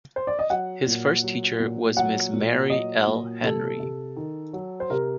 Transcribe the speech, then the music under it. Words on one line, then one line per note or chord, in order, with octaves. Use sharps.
His first teacher was Miss Mary L. Henry.
C5
D5
D#5
F#3 F#5
A#2
F#3
A#2
F#3 F#5
A#2
F#3 D#5
A#2
C3 A4
C3
D#3
F#3
C5
C3 A#4